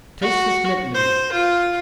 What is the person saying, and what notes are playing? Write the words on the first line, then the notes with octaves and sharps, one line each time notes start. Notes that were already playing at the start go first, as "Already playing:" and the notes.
Taste this mint-leaf!
F#4
C5
F4